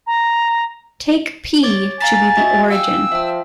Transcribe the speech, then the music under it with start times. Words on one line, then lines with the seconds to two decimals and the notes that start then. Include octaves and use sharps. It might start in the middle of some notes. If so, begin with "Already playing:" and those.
Take "P" to be the origin.
0.06 A#5
1.63 C#5 D6 A6
2.00 F5 G#5 A#5 A6 B6
2.37 F#4 D#5 E5
2.70 F5 G5 G#5 E6
3.12 F3 E5 G5